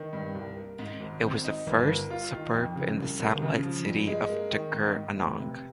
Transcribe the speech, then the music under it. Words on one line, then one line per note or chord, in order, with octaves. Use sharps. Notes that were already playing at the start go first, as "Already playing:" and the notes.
It was the first suburb in the satellite city of Tuggeranong.
Already playing: D#3
G2
C2
A#3
G#2
G#1
C4
D#4
G1
A#3
F4
D#3
F2
C#3
C2
C2
C#3
F3
G2
G#3
A#3
D#3
G#2
G#2
F1
C3